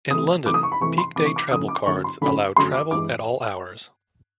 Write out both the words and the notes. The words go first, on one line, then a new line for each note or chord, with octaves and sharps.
In London, Peak Day Travelcards allow travel at all hours.
C3 E3 A3 D#6
C3 E3 A3 D6
D#6
C#6
B5
C3 E3 A3 C#6
C6
C3 E3 A3 D6
C#6
D6
F#2 D3 F#3 A3 C#4 D#6
D6
F#2 D3 F#3 A3 C#4 C#6
C6
F#2 D3 F#3 A3 C#4 B5
F#2 D3 F#3 A3 C#4 C6
D6
G2 E3 G#3 D6